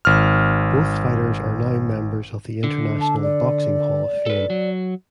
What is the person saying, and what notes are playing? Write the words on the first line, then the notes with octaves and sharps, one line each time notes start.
Both fighters are now members of the International Boxing Hall of Fame.
G#1 F6
D3
A5
D5
A4 B4
F#3